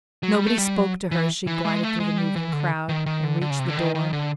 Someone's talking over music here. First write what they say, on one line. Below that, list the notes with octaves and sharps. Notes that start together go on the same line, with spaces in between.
Nobody spoke to her as she glided through the moving crowd and reached the door.
F#3
G3
A3
G3
F#3
E3
E3
G#3
A3
G#3
G3
E3
D3
D#3
D#3
D3
D3
C#3
C3
D3
D#3
D#3
D3